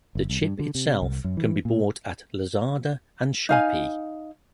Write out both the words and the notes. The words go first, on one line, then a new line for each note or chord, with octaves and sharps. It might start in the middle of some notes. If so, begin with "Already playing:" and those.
The chip itself can be bought at Lazada and Shopee.
G1
C2
G2
D3
C3
C2
F#2
E3
A#2
D#4 F5 G#5